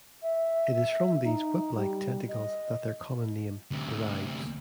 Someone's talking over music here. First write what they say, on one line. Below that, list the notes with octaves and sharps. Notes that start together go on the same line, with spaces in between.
It is from these 'whip-like' tentacles that their common name derives.
E5
D#4
G3
D#5
D2 C3